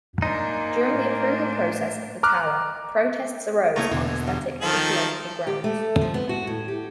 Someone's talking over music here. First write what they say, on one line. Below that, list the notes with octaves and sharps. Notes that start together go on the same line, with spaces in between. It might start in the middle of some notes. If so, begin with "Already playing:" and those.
During the approval process of the tower, protests arose on aesthetic and ecological grounds.
A#3 D4 D#4 C5 G#5
A2 D4
A#5 D6 F6 F#6
A3 A#3 E4 A#5 C#6 D#6
E2 B2 D3 E3
G3
D#3 F3 A4
G4
A3
F3
B3
F#4
A2
G4